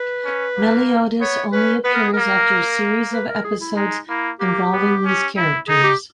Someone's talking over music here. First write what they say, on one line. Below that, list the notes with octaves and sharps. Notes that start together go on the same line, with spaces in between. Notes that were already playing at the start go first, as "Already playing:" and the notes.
Meliodas only appears after a series of episodes involving these characters.
Already playing: B4
C#4
A#3
B3 C#5
C#4 B4
B3 B4
A#4
G#4
A#3 A#4
B4
A#4
G#4
E4
G#3 D#4
A#3 E4
A#3 G4
B3
C#4
E4
D#4 G#4
G4